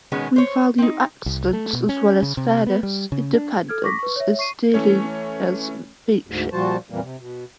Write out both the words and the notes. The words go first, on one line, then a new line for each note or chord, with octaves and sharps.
We value excellence as well as fairness, independence as dearly as mateship.
B2 D#3 G#3 B3 C#4
C5 C#5
C4 D#4
C2
A3
B2
C#4
C#3
C3
B3
G3
C#3
D4
A4 F6 G#6
C#6 D6 A#6 B6
B4 C#6
C#5 E5
C#6 C7 D#7
E3 A3 C#4 C#5
D2 G#2
A#2 F3 G3 F#4 C5 A5
F2 A#2 E3 G3 A#3
C3
B2